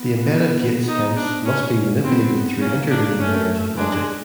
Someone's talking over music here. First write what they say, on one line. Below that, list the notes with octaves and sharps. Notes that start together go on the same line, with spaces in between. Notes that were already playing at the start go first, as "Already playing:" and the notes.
The embedded gates, hence, must be manipulated through intervening layers of logic.
Already playing: B3
D#4
D4
C#4
B3 C4
A#3 C#4
D4
A3 C#4
G#3 D4